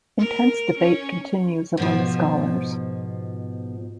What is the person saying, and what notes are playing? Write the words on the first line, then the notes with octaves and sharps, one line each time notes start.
Intense debate continues among scholars.
A#4
C#4
G#2 B2 F3